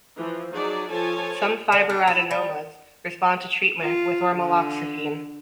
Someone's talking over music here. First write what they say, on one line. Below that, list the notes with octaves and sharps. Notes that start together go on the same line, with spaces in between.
Some fibroadenomas respond to treatment with ormeloxifene.
E3 F3
F#3 D#4 G#4 D5 A5
F3 A4 C#5 G#5 A5
D3
D4
E4
G3
F4
D3